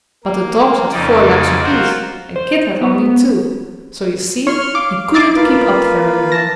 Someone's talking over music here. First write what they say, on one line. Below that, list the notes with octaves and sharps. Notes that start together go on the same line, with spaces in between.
But the dogs had four legs apiece, and Kit had only two; so you see he couldn't keep up very well.
A#3
F2 C#3 D#4 D5
F4 F#4 A#4 C5
C5
B3
C#5 C6 C#6 F6
F5 D6
D6 A6 C7
A#3 F4 B4
A5 A#6